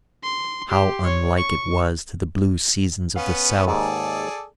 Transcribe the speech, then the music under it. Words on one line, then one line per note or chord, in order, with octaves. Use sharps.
How unlike it was to the blue seasons of the south!
C6
G4 C6
C#5
C#6
B3 C#4 F5
D#2 G#2 G#4 A4 D5